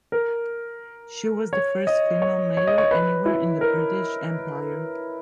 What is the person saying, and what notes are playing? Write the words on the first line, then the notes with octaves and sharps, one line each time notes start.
She was the first female mayor anywhere in the British Empire.
A#4
C#5
D#5
C#5
C#5
D#5
C#5
B4
E4
A#4